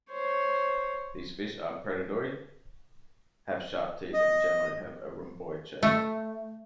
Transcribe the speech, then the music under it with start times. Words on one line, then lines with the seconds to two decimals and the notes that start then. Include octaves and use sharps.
These fish are predatory, have sharp teeth and generally have a rhomboid shape.
0.10 C5 C#5
4.13 D#5
5.83 A3